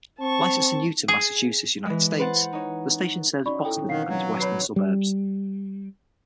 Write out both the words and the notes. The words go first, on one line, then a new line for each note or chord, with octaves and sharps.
Licensed to Newton, Massachusetts, United States, the station serves Boston and its western suburbs.
C4 A5 C#6
G#4
E3 G#3
B4 C5 F#5 A6
D#4 C#5
C#4 D#4 F#4 D5 B5 C#6
E4 A4 G5
D#3 C4 C#4
B2 D#3 E3 F5 F#5 C7
F#3 F#4
F#4 B4 C#5 B5 C7
G3